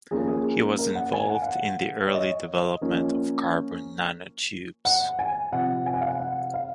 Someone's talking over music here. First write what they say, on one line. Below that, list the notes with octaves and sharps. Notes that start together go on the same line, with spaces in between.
He was involved in the early development of carbon nanotubes.
F3 A#3 C#4 G#4
A#4
G#4
A#4
F#5
G#5
F#5
F5
F#5
C#5
D#5
F3 A#3 C#4
F#5
G#5
C3 F3 C4 F#5
G#5
F#5
F5
F#5
F#5
F5